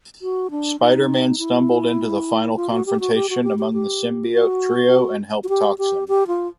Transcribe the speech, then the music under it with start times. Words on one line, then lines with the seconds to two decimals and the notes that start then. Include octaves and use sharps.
Spider-Man stumbled into the final confrontation among the symbiote trio, and helped Toxin.
0.22 F#4
0.51 D4
0.80 D#4
1.39 E4
2.56 F4
2.71 F#4
2.86 G4
3.00 F#4
3.14 G4
3.30 F#4
3.44 G4
3.59 G4
3.73 G4
4.32 F#4
5.44 F#4
5.49 G4
5.78 G4
6.08 G4
6.27 F4